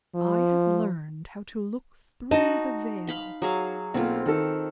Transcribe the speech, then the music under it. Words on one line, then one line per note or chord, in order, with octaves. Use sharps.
I have learned how to look through the veil.
F3
D#4 F#4 D#5 A5
F5 B5 C6
F#3 G#4 F5
B1 A#3 C4 F4
D#3 A4